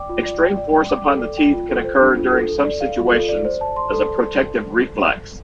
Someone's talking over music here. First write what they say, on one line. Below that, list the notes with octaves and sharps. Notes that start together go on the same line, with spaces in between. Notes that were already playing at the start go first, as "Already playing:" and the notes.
Extreme force upon the teeth can occur during some situations as a protective reflex.
Already playing: D5 G5 D6
F4
D5
G5
D5
G5
D6
A4
D5
G5
F4
A4
C5
D4
F4
A4
A4
D5
F5
F4
A4
D5
C5
A5
C6
A4